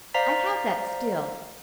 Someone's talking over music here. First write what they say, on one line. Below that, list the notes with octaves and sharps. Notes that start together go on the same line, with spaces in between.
'I have that still.
C5 D5 F5 A#5 B6